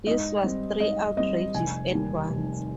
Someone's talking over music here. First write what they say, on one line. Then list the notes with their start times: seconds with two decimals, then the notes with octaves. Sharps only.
This was three 'outrages' at once.
0.07 G#2 D#5
0.44 G3 C4
0.80 G#2 D#5
1.17 G3 C4 D#5
1.54 F1 G#5
1.91 D#2 D#3 G3
2.29 F1